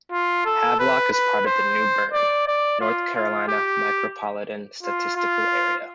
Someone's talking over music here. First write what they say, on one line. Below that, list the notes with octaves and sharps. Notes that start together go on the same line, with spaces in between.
Havelock is part of the New Bern, North Carolina Micropolitan Statistical Area.
F4
A4
B4
B4
C5
D5
D5
F4
F4
G4
F4
F4